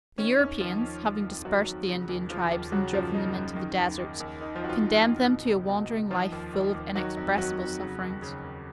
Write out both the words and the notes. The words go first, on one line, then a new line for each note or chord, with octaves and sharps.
The Europeans, having dispersed the Indian tribes and driven them into the deserts, condemned them to a wandering life full of inexpressible sufferings.
D#3 C#4
D#2 C#4
D#3 F3 F4
D#2
D#3
F2
D#3 F#3 F#4
F2
C#3
D#2
C#3 F3 F4
D#2
C#3 F#3 F#4
F#2 F3 F4
C#3 D#4
F#2
D#3
D#2
D#3
D#2
D#3 D#4
F3 F4
F2 F#4
F3 F4
D#3 D#4
F2
B2
C#2
B2
C#2
D#3 F3 F4
D#2
D#3
D#2
D#3 F#3 F#4
F2
D#3 F#3 F#4
F2
C#3
D#2
C#3
D#2